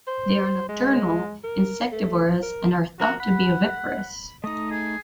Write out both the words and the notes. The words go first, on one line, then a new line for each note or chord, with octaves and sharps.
They are nocturnal, insectivorous and are thought to be oviparous.
C5
G#3
A#4
A3
A#4
F3 F#4 A#4 F#6
F#5 B5
A3 D#4 D#5
G#4